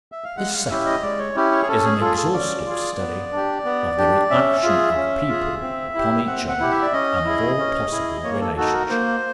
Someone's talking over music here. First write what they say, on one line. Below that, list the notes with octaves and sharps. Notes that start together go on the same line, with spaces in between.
This second is an exhaustive study of the reaction of people upon each other and of all possible relationships.
E5
F5
G#3 F#5
F5
C#4 E4 G4 E5
D#5
G#3 D5
C#5
C#4 E4 G4
C#5
G#4
C#4 A4
G#4
F4 G#4 A4
A4
C#4 D5
F4 G#4
B3
D4 G4
B3
D4 G4
C#4 E5
F4 G#4
C#4
F4 G#4
C4
E4 G4
C4 F#5
F#5
E4 G4
E5
D5
C#4 D#5
E4 G#4
C#4
E4 G#4
A#3 C#5
G#4
A4
D#4 F#4 A4
A#4
A#3 C5